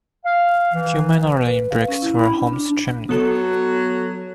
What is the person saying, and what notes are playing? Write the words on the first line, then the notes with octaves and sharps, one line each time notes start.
Two men are laying bricks for a home 's chimney.
F5
E3
B4
F5
C#4
E4
B5
D4
D4
F#3 B3 A4